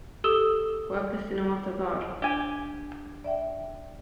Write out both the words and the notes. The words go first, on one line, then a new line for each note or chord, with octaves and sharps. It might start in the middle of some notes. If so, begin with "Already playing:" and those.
Quercus sinuata var.
G4 A4 D#6 E6 E7 G7
D4 G4 G#5
D5 E5 G5